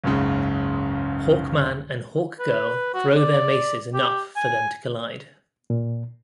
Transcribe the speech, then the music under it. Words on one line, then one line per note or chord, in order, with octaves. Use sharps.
Hawkman and Hawkgirl throw their maces enough for them to collide.
F#1 C#2 G#2 C#3
B4
F#4
D5
G4
G#5
A#2